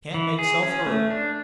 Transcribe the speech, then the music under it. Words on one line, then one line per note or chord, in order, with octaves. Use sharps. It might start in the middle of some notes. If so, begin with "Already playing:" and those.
Can't make self heard.
E3
G#4
C#4
A3
D4